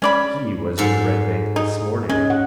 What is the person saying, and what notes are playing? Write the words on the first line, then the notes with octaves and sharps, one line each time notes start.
He was in the Red Bank this morning.
G#3 C#4 D5 B5
G#2 A4
D#4
G#3 C#4
F#5